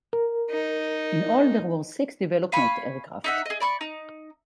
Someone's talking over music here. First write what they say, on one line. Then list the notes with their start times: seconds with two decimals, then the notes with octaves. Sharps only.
In all there were six "development" aircraft.
0.13 A#4
0.50 D#4
2.52 F5 G#5 B5 C#6
3.24 D#4 E5 F#5
3.46 G#4 D#5
3.60 D5 B5 C#6
3.81 D#4